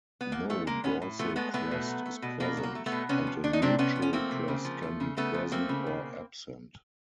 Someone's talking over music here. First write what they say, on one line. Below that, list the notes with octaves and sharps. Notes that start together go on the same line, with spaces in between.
No dorsal crest is present; and a nuchal crest can be present or absent.
B3
A2 A#3
F3 A3
G#3 A#3
A2 B3 C#4
A2
F3 A3 B3
G#3 A3 B3
A2 A3 B3
B2
F#3
A3
B2
B2 A#3
F#3
A#3
A3
A3 B3
B2
C3 B3 C#4
F3
A3 D4
D#4
C3 C4 D4
C3 B3 C#4
F3
C#4
A3 A#3 C4
C3
C#3
F3
A3
C#3
C#3 A3 B3
F3
A3 A#3 C4
C#3
B2